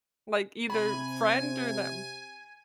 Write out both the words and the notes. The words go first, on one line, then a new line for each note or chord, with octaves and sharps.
Like either friend or them.
C3 G#5 B5